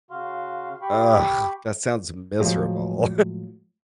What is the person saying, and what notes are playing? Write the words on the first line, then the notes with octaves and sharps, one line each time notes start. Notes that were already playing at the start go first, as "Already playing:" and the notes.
Ugh! That sounds miserable.
C#3 F#4 F5 C6
G4 G5 B5 C#6
A2 F3 F#3 G#3